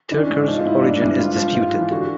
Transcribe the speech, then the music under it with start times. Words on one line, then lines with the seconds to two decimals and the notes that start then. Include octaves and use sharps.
Tyrker's origin is disputed.
0.11 E3 D4
0.23 C#4
0.30 G#2
0.35 D4
0.47 F3 D#4
0.58 F4
0.65 G#2 E4
0.83 G2 D4
1.02 G2 E4
1.19 G#2 F4
1.36 F3
1.54 G#2 F4
1.73 E3
1.90 D3 F#4
2.01 F#4